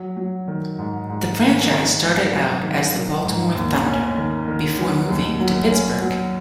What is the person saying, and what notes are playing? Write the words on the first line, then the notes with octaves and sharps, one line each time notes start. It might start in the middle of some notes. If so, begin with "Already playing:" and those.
The franchise started out as the Baltimore Thunder before moving to Pittsburgh.
Already playing: F#3
F#3
D#3
G#2
G#2
D#3
D#3
G#2
F#3
D#3
F#3
G#2
D#2
C#4
D#3
D#3
F#3
D#2
F#3
C#4
F#3